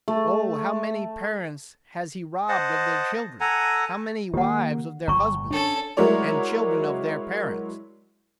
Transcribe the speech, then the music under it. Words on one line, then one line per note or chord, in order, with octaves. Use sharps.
O how many Parents has he robb'd of their Children, how many Wives of their Husbands, and Children of their Parents?
A3
C5 D#5 F#5 A5
A4 F#5 G#5 A#5
D#3 A#3 G4 F#5
G1 A#5 C#6
C#4 D4 A4
F#3 G#3 E4 A#4 C#5 D5